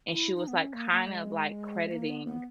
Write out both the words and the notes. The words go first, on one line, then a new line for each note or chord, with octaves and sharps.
and she was like kind of like crediting,
E4
D#4
B3
C#4
A#3
A#3
G#3
A#3
B3
B3